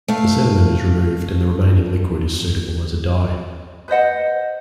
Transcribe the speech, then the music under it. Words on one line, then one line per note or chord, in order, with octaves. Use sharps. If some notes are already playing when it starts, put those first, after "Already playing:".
The sediment is removed and the remaining liquid is suitable as a dye.
A3 F5
B4 C5 D#5 F#5